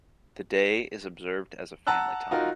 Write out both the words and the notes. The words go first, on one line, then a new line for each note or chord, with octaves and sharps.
The day is observed as a family time.
F#5 A5 A#5 E6 F#6
D#4 F4 F#4 A#4